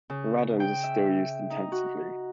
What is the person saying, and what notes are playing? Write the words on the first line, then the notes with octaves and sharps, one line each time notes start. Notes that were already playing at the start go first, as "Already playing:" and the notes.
The radomes are still used intensively.
C#3
G5
E5
D#4
F#4